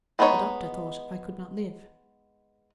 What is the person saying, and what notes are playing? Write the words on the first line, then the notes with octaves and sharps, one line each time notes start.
The doctor thought I could not live.
G#3 B3 D4 D#4 C#5